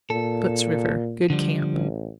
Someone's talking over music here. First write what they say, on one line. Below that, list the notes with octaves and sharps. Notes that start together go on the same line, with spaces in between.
Soot's River.--Good camp.
A#2 A4
D3 F3 G3
A1